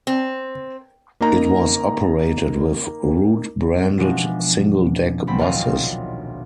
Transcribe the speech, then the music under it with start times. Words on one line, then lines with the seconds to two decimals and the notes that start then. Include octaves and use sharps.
It was operated with route-branded single-deck buses.
0.07 C4
1.21 A#3 D#4 A#5
3.98 B2 E3 F3 G#3 D4
5.27 C#2 F#3 C4 B5
5.39 D#1 B1 C4 D4 D#5 F5